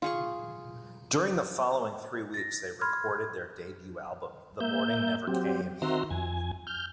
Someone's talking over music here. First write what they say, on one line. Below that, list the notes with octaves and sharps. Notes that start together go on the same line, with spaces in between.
During the following three weeks they recorded their debut album, "The Morning Never Came".
F4 G#4 C#6
A6 A#6
B5 C6 F6 G#6
A#3 E5 G6
F#3 C4 G4
D#3 C4 F#4 E5 A#5 C6
F2 G#5
F6 G6